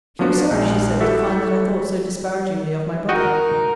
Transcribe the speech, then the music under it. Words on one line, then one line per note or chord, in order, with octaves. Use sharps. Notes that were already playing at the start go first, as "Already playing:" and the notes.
She was sorry, she said, to find that I thought so disparagingly of my brother.
F3 F#3 A#3 D4 F#4
A#1 G#3
E4 F#4 G4 A4 E5
D#4 F#4 A#4 D#5 G5